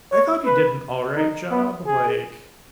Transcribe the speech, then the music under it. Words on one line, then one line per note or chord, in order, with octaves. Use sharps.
I thought he did an all right job. Like,
C#5
B4
D#4
B3
G#4